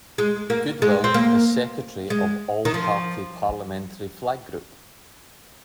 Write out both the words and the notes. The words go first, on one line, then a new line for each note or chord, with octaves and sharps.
Goodwill is secretary of the All Party Parliamentary Flag Group.
G#3
A#3
G#3
C4
A#3
G#3
D#3
F3